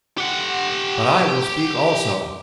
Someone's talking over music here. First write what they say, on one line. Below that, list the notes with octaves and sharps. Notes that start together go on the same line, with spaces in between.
"But I will speak also!"
G4 F#5